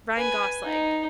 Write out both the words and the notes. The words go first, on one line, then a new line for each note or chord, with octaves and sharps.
Ryan Gosling.
B4 G#5
D#4